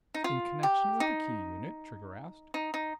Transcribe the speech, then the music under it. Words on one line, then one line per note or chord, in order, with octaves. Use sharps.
"In connection with the key unit?" Trigger asked.
D#4
F4
G4
D#4
D#4
D#4